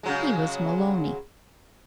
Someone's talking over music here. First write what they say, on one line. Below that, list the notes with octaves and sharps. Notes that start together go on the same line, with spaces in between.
He was Maloney.
C#3 F#3 G#3